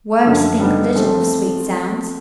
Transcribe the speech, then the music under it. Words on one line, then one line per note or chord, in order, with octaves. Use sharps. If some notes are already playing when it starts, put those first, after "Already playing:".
Worms think little of sweet sounds.
F#2 D3 F3
D3 G3 B3 D#4
F3 A3 C4